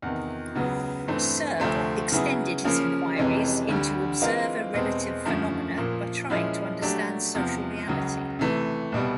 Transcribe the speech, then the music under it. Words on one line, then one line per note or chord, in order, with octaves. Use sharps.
Searle extended his inquiries into observer-relative phenomena by trying to understand social reality.
E2 C3 D#3
C#2 C#3 F#3 B3
G2 E3 A3 C4
D2 C3 F3 A3 C4
C#3 F#3 B3 E4 G#4
C#3 F3 A#3 C#4
F2 C3 E3 G#3 C#4
D2 D3 G3
E3 G#3 C4 F4 A#4
E2 B2 G#3 C4
F#2 D3 F3 A3
A#2 F3 A#3
A#2 F3 G#3 C#4 E4
F#3 A3 D4 G4
E2 C3 F3
C#2 C#3 F#3
C3 E3 A3
C2 B2 G3